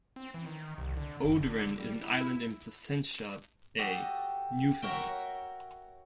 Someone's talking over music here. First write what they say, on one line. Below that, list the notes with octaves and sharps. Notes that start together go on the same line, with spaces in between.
Oderin is an island in Placentia Bay, Newfoundland.
C4
E3
D#3
C2
D3
F#1
D3
G3
E4
F#4 G4 A4 D#5
F#4 A#4 C#5 E5 G5